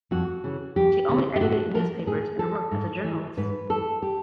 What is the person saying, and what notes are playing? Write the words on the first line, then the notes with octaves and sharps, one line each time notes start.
She only edited newspapers and worked as a journalist.
F2 F#4
C#3 E3
F2 G4
C#3 E3
G4
A2 F#4
F3 A#4
A2 G#4
F3 A4
G#2
E3
G#2 B4
E3 A4
G4